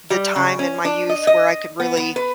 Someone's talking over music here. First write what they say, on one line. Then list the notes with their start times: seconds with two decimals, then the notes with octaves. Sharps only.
the time in my youth where I could really,
0.10 G3
0.36 C#3
0.59 C#4
0.85 D4
1.10 D#5
1.27 D#5
1.80 B3
1.97 B3
2.16 B4